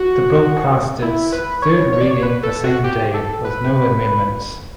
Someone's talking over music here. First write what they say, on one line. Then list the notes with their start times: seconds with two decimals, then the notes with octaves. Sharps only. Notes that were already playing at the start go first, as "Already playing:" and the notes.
The Bill passed its third reading the same day with no amendments.
Already playing: F#4
1.02 E4
1.32 B4
1.62 C#5
1.93 C#5
2.01 D5
2.11 C#5
2.23 B4
2.43 A4
2.64 F#4
2.84 G4
3.14 A4
3.45 B4